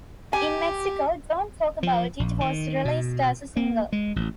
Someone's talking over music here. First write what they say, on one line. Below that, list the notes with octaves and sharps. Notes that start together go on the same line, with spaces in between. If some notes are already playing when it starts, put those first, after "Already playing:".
In Mexico, "Don't Talk About It" was released as a single.
G4 G#5
F3
A#1
D#3
B2
A#3
G#3
A1